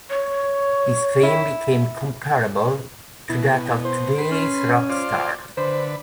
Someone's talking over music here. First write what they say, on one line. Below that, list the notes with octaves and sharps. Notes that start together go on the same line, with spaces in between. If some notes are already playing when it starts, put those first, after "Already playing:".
His fame became comparable to that of today's rock star.
C#5
E4
B2 E4
C5
B4 C6
C#4
F4 C5 D5
D3 B4 C5